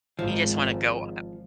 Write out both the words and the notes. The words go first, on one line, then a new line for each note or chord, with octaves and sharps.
You just wanna go, uh,
G#1 G#2 F3